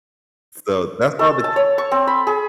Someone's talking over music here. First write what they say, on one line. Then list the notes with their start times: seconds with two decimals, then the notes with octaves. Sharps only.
so that's all the
1.19 A4
1.44 A5
1.56 C#5
1.78 C#6
1.91 C4
2.07 B5
2.27 G#4